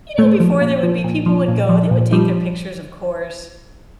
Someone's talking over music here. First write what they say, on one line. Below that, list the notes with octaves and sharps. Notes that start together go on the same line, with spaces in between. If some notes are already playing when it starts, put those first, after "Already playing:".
you know, before there would be people would go, they would take their pictures, of course,
A#2 A3
F3
A#2
F3
A#2
F3
A#2
F3
A#2
F3 G3